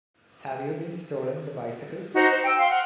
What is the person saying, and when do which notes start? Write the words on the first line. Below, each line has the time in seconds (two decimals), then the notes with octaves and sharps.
Have you been stolen the bicycle?
2.14 D#4 F#4 C5
2.31 C5
2.44 G5 E6
2.58 F5 C6
2.70 F#5 F6